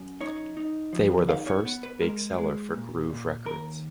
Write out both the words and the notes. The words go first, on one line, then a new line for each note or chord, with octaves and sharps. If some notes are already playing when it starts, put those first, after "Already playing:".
They were the first big seller for Groove Records.
Already playing: F#2
D#4 C#5
D#4
F3
D#4 F5
C#5
B3
B4
G#3 A#4
G#3
A#2
A#2
D#2 A#4